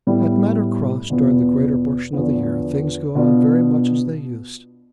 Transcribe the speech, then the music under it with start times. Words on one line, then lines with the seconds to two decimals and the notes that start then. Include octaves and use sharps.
At Manor Cross during the greater portion of the year things go on very much as they used.
0.07 A2 G3 B3 E4
1.10 E2 B2 B3 F4
2.13 E2 D3 F3 B3
3.15 B2 B3 D4 F4